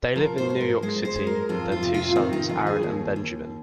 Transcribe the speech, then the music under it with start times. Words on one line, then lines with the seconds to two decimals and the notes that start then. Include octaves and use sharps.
They live in New York City with their two sons, Aaron and Benjamin.
0.16 F3 A#4
0.38 C5
0.49 G#2 C5
0.61 A#4
0.82 G#3 C5
1.05 C5
1.16 G#3
1.27 A#4
1.49 F2 F4
1.72 F4
1.83 C3
1.94 F4
2.16 D#3 C4
2.33 D#4
2.49 F2 F4
2.67 G#4
2.83 D#2
3.16 D#2